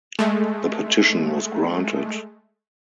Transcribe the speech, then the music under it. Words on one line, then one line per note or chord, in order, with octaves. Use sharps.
The petition was granted.
G#3 A3